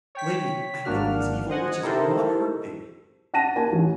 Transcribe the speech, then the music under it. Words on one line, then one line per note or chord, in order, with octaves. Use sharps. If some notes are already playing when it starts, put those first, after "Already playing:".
'Lady, I think these evil witches will not hurt thee.
C#5 G5 B6
G#1 G#2 A#3 D4 F#4 F6
C5 D#5 F#5 G#5
D#4 E4 G4 A4 A#4 C5
F#5 A5 A#6 D#7
A#3 A#4 G#5 A5
A1